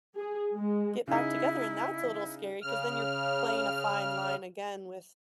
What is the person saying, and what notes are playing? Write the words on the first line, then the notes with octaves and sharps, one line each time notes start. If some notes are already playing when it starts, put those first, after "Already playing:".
get back together," and that's a little scary 'cause then you're playing a fine line again with,
G#4
G#3
C#3 D#4 E4
C#3 F6